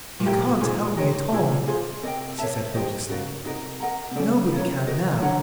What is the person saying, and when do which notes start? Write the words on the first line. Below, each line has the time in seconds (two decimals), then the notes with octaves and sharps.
"You can't help me at all," she said hopelessly, "nobody can now."
0.20 A#2
0.25 A2 E4 G4 A#4
0.37 A#2
0.49 B2
0.61 A#2 D#4 G#4 C5
0.97 G4 A#4 C#5
1.32 A#2 C#4 E4 G#4
1.67 F4 G#4 C5
2.03 C3 A#4 D#5 G5
2.38 A#4 C#5 E5 A5
2.74 D#4 G4 C5 D#5
3.09 C#3 F#4 A#4 D5 F5
3.45 C3 D#4 F#4 A#4 D#5
3.80 A#4 D#5 F#5 A#5
4.11 C3
4.16 C#3 C#4 F4 A4 D5
4.51 C#3 F4 A#4 C#5
4.87 F#4 A#4 D#5
5.22 D3 A#4 C#5 F#5 A#5